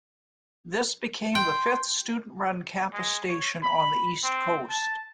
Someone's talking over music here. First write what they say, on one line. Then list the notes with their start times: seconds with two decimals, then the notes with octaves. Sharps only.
This became the fifth student-run campus station on the east coast.
1.35 G5 C6
2.93 G#3
3.30 C#5
3.63 B5
4.24 C4
4.69 A5